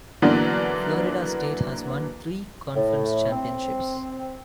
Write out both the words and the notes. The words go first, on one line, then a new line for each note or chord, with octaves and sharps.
Florida State has won three conference championships.
D3 E3 F#3 A#3 B3 D4
A2
C4